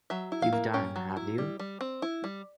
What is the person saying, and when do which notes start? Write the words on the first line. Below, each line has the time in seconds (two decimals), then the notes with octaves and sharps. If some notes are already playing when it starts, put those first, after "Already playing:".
You've done, have you?
0.10 F#3 E5
0.32 E4
0.42 F5
0.53 A#3
0.74 C#4 G5
0.96 F#3
1.17 E4
1.38 G3
1.59 G3
1.81 C4
2.02 E4
2.24 G3